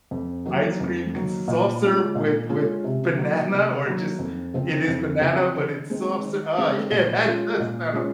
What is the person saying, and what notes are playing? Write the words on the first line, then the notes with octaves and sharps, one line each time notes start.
Ice cream consists of soft serve with with banana or just it is banana, but it's soft serve oh, yeah. That does sound o
F2
D#3 F#3 A#3
F2
D#3 F#3 A#3
A#2
G#3 C#4 F4
A#2
G#3 C#4 F4
C3
D#3 F#3 A#3
C3
D#3 F#3 A#3
F2
C#3 F3 C4
F2
C#3 F3 C4
D#3
G#3 C4 D#4
D#3
G#3 C4 D#4
A#2
G#3 C#4 F4
A#2
G#3 C#4 F4